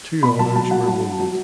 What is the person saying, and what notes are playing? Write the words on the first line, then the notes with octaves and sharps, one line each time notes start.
Two others were wounded.
B2 B5
F#3 A5
F#3 A5
F#3 F#5
F#3 A5
F#3
F#3